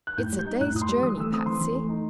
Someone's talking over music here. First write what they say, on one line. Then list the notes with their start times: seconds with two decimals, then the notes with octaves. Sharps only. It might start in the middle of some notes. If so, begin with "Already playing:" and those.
"It's a day's journey, Patsy."
0.07 F#6
0.18 A2 G6
0.32 G3
0.39 G6
0.46 D#4
0.60 A2 F#6
0.75 A2 D#6
0.82 C6
0.89 G3
1.03 E3 D#6
1.18 A3 E6
1.32 C4 D#6
1.46 E3 C6
1.61 E3
1.75 A3
1.89 D#4